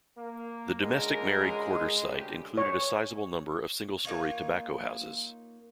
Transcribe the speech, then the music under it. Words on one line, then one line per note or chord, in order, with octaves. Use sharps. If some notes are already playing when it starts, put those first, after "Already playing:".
The domestic married quarters site included a sizeable number of single storey "tobacco houses".
A#3
C#2 D3 G#3 A#4
D2 C#3 G4
C#5
A#3 D#4 F4 C#5